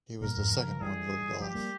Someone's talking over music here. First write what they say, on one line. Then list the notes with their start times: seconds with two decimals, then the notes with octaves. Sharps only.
He was the second one voted off.
0.21 G2 A#2 A#4
0.36 F2 G#2
0.51 C#3 F3 A#4
0.81 E3 G3 G#4
1.40 F3 G#3 G4
1.55 G3 A#3